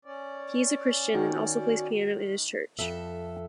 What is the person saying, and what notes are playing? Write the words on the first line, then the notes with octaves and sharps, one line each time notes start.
He is a Christian and also plays piano in his church.
C#4 D5
D#3 F#4
F2 A4 E5